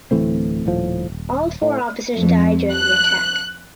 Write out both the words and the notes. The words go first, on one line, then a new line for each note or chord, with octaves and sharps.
All four officers die during the attack.
D1 E3 A3 C4
D#1 A2 F3
D#1
A2
F2
F#6